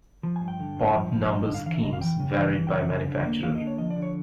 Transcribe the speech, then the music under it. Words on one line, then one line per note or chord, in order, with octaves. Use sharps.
Part number schemes varied by manufacturer.
F3
G#5
G2
G5
D3
G2
F3
F3
G2 D#5
D#5
D3
F5
E3 F5
E5
C#3 D#5
F5
E3 G5
C#3
E3
E3
G5
C#3 F#5
C#3
D3
A#3
A#3 F5
D#5
D3
C#5
F3 D#5
D5
D3
C#5